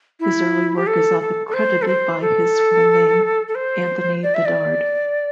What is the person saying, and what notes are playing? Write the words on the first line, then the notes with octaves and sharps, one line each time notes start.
His early work is often credited by his full name - Anthony Bedard.
E4
G4
A4
A4
A4
C5
A4
C5
A4
A4
C5
D5
E5
D5